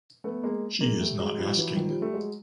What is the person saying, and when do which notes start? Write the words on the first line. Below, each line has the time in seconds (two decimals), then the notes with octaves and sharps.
She is not asking.
0.24 A3 B3
0.43 G#3 A#3
0.80 G#3 A#3
0.99 G3 A3
1.18 F#3 G#3
1.38 F3 G3
1.57 E3 F#3
1.76 D#3 F3
1.88 F3 G3
2.01 G3 A3
2.14 F#3 G#3